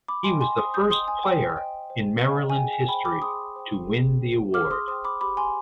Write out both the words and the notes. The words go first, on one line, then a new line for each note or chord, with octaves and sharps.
He was the first player in Maryland history to win the award.
B5 D6
D#5 G5 G#5 C6
G#5 C6
C5 C6 D#6
D#6 G6
D#5 G5 C6 D#6
G#5
C5 G5
D#5 G5
C5
D#5 G5
G#5
G#4 G5
G#5
C5 G5 B5
B5 D6
G#4 C6 D#6
C5 G5
G#4
C5 G5
G#4 D6 F6
C6 D#6
C5 G5 C6 D#6
B5 D6
G4 B5 D6
G#5 C6